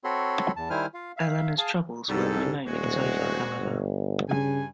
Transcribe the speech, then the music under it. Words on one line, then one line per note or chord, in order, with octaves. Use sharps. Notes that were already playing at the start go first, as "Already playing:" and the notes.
Eleanor's troubles were by no means over, however.
C4 F#4 A4 C#5 B5 C6
E2 A5
D#3 G3 E4 C5 G#5 F6
F4 F5
E5 F5
G#4 F5 G#5 A5
C2 G#2 G3 A4
D#1 G#3 C4 F#4
G1
G2 C#3 G#5